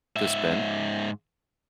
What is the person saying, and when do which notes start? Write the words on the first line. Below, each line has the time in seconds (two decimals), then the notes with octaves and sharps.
to spend.
0.16 G#2 E5